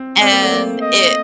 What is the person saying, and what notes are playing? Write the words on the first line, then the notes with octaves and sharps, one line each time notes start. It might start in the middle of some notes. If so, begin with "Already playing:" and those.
and it
Already playing: C4
C4 D5
A#3
A3
A#3
D#5